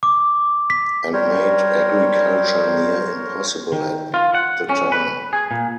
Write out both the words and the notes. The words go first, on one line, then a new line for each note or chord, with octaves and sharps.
And made agriculture near impossible at the time.
D6
B6
G3 A#4 C5 C#5
D#3
F4
F#5
C#4
B4
G#4
A#2